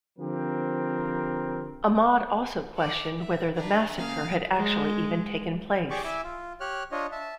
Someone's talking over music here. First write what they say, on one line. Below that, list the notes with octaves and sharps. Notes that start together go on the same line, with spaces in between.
Ahmad also questioned whether the massacre had actually even taken place.
D3 F3 C4 G4 A#4
A4 D5
E5
D4 B4 A#5
C#3 A#3 G#4 F5
G#3
G4 G#4 D5 C#6 D6
E4 E5 G#5 D6 E6
F4
G4 C#5 F6 F#6
D4 F4 C#5 D#5
E5 A5